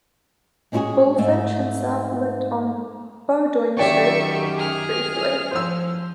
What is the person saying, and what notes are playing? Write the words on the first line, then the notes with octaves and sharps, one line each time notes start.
Bulfinch himself lived on Bowdoin Street, briefly.
G#3 C#4 D#4 E4 F#4 G#4
G#2 A3
F#2 D#3 G4 C#5 D5 E5 G5 C#6
G#4 F6
F3 C5 E6